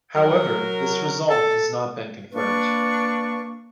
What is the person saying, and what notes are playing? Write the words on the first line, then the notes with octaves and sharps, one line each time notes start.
However, this result has not been not confirmed.
F#3 A#4
A4
A#3 D4 B4 C#6